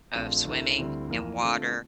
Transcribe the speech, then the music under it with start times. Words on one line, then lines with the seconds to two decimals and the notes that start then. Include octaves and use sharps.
of swimming in water
0.14 A#1 A#2 F3 A3 C4
0.45 D2 D3 A3 E4 A#4
0.78 D2 D3 G3 C4 E4
1.08 F2 E3 A#3
1.41 D3 A3 C4 F4